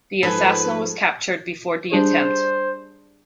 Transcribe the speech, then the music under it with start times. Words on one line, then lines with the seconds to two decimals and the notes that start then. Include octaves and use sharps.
The assassin was captured before the attempt.
0.23 G#2 F3 G#4 A4 B4 A5
1.92 G3 D4 G#4 C5